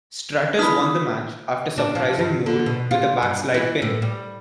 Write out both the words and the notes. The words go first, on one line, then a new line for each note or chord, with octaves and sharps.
Stratus won the match after surprising Moore with a backslide pin.
B3 D#4 E4 B5 D#6 F6 B6
D4
F3
G2
D3
B2
F4
G2
E3
A2
G3